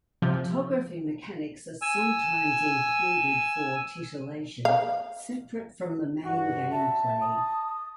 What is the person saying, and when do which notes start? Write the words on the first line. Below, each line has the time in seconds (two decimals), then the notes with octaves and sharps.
Photography mechanics are sometimes included for titillation separate from the main gameplay.
0.22 C3 F3
1.82 G#5 E6
4.65 F5
6.24 G2 F#4
6.72 E5 A5
7.21 D#6